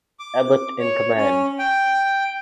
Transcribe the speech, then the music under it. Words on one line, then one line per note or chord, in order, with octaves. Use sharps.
Ebert in command.
D6
C#5
C#4
G5